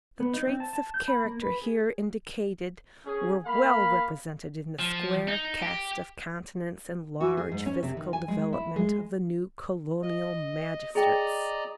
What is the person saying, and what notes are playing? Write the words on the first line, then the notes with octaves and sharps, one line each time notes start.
The traits of character here indicated were well represented in the square cast of countenance and large physical development of the new colonial magistrates.
B3
D#4
C4
A5
A5
G6
B5
A#3
B4
G#4
C#4 G#4
A#3 F5 B5
F3
D#4
G4
F#4
G#4
G#2
C#4
C3
D#3
G#5
G#3
E4
G#3
D#5
G#4 D5 D#5 G5 A#5